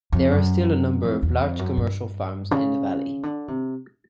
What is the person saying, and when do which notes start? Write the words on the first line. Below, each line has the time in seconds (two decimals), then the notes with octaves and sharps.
There are still a number of large commercial farms in the valley.
0.12 F2
0.31 F#2
1.04 F2
1.23 E2
1.41 F2
1.59 F#2
1.77 G2
2.51 C#3
3.23 D3
3.48 C3